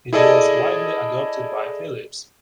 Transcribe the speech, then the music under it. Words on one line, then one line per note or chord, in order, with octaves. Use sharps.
It was widely adopted by Philips.
E4 G#4 A4 D5 D#5